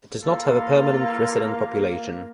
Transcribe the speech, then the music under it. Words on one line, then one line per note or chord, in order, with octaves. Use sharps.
It does not have a permanent resident population.
E2 A#3 F4 A4